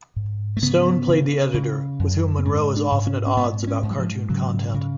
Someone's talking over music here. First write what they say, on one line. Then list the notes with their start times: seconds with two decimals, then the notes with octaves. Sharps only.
Stone played the editor, with whom Monroe is often at odds about cartoon content.
0.16 G#2
0.57 A3
0.62 C#3 B3
1.08 C#3
1.54 C#3
1.99 F#2
2.39 B3
2.45 G#2 C#4
2.76 D4
2.92 G#2
3.07 C#4
3.26 C#4
3.37 G#2 B3
3.63 B3
3.67 C#4
3.83 G#2
3.91 F#3
3.99 F3
4.29 C#3 F#3
4.74 C#3